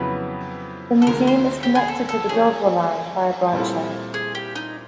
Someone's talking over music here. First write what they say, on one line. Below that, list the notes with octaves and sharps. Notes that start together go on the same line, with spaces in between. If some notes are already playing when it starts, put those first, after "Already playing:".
The museum is connected to the Dovre Line by a branch line.
Already playing: F2 C#3 F#3 B3 E4 B4
A4
D2 D3 F3 G#3 A#4
C5
G4
G#4
A4
A4
F3 A3 C#4 G#4
A#2 G3 C4 E4 A4
G#4
G4
D#4